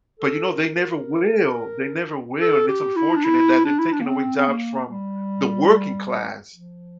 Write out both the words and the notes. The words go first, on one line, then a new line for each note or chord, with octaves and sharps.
but you know, they never will, they never will and it's unfortunate that they're taking away jobs from the working class
A4
A#4
A#4
A4
G4
E4
D4
E4
D4
E4
D4
A#3
C4
C4
A#3
G3
F3